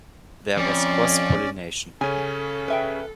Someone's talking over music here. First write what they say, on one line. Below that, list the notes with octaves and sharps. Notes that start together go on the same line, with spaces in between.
There was cross pollination.
F2 C#4 D5
C#3 C#4 A4 G#5
B4 E5 G5